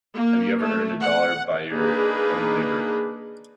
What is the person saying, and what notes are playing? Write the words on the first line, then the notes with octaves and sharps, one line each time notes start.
Have you ever earned a dollar by your own labour.
A#3
A3
F#5
A#3 D4 D#4 G#4 B4